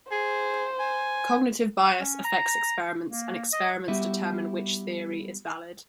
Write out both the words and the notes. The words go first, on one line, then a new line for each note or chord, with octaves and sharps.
Cognitive bias affects experiments, and experiments determine which theory is valid.
G#4 C5
G#5
F#5
C#4
A#5
A#3
D#5
G3 B3 E4 F#4 G4 E5